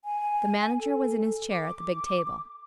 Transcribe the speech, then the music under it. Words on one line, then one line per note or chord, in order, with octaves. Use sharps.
The manager was in his chair at the big table.
G#5
A4
D6